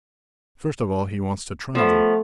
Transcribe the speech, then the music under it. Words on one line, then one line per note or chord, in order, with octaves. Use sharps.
First of all he wants to travel.
F3 A3 B3